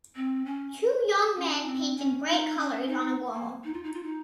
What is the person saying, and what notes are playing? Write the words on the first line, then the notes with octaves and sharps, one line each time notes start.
Two young men paint in bright colors on a wall.
C4
C#4
C#4
C4
C#4
D#4
C#4
D#4
A#3
D#4
F4
D#4
F4
D#4